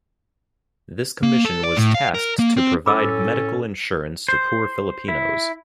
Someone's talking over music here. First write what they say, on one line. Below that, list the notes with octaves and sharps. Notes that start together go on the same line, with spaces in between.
This commission was tasked to provide medical insurance to poor Filipinos.
A#3
A4
D5
A2
F5
A#4
A#3
C4
A2 C#4 A4 B5 D6 E6
C5
E4